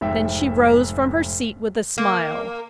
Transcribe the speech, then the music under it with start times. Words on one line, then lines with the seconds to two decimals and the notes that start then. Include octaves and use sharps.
Then she arose from her seat with a smile.
0.01 F1 G#2 E5 G5
1.98 A#3